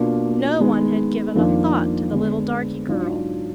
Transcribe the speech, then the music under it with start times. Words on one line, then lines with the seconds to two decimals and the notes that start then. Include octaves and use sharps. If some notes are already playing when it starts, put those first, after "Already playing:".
No one had given a thought to the little darky girl.
Already playing: B2 A#3 D4 F4
0.59 D#3 G#3 B3
1.35 F2 D#3 A#3 D4 F4
2.11 D3 G#3 B3 D4
2.88 G#2 F#3 D4 F4